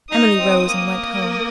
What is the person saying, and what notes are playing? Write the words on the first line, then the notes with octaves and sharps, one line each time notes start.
Emily rose and went home.
D#4 D#6
C4
A#3
D#6